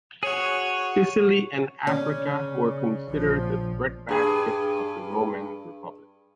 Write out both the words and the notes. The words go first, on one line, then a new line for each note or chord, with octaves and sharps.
Sicily and Africa were considered the breadbaskets of the Roman Republic.
F#4 G#4 C#5
C#3 C#4 D5
A#1 F3
G2 G#4